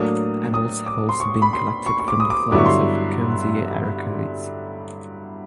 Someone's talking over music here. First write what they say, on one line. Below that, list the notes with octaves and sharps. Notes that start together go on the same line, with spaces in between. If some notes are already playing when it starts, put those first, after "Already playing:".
Adults have also been collected from the flowers of "Kunzea ericoides".
Already playing: A2 F#3 A#3 D4 D#6
D#6
D6
C6
C#6
B5
C6
C#6
C#6
D6
D#6
D6
G2 D3 F#3 B3 E4 D6
C#6
C6